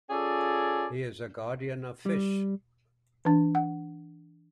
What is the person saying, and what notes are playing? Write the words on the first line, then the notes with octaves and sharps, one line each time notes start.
He is a guardian of fish.
C#4 F4 G#4 A4 D5
G3
E3 D4
F#5